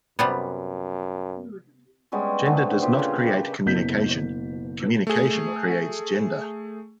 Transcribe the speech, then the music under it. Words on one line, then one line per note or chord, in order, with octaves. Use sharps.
Gender does not create communication, communication creates gender.
F#2 C3 G3 B3
G3 G#3 B3 C#4
D3 A3 B3 C4
A#2 G4 C5
C#3
G4 B4
F#1 B2 G6 B6
A3 G#4